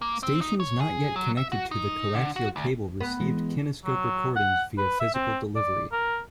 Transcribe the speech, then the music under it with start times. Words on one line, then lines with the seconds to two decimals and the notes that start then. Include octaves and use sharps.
Stations not yet connected to the coaxial cable received kinescope recordings via physical delivery.
0.02 A#3
0.23 C4
0.41 D#4
0.60 C#5
0.80 G#4
1.16 F#3
1.37 E5
1.52 F#4
1.71 D#4
2.15 D3
2.36 F#4
2.56 D2
3.01 B3
3.20 E3 G#3
3.85 F#3
4.36 F#5
4.78 B4
5.00 E5
5.15 C4
5.55 D5
5.92 A#4